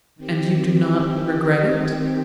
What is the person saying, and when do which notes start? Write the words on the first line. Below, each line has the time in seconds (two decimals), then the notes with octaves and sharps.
"And you do not regret it?"
0.16 D#3 C4 G4